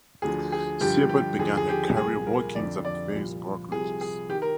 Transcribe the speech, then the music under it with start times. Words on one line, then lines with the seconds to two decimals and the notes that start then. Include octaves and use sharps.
Siebert began her career working at various brokerages.
0.22 D2 D3 F3 G#4
0.52 G#4
0.80 G2 D3 F3 G4
1.09 G4
1.39 D#2 D3 F3 G#4
1.57 G#4
1.69 G4
1.97 C2 A#2 F3 G#4
2.27 A#4
2.55 F2 D3 F3 D5
2.85 D5
3.13 C2 A#2 F3
3.71 C2 C3 F3 G#4
4.01 G#4
4.29 D#3 G4
4.42 A#4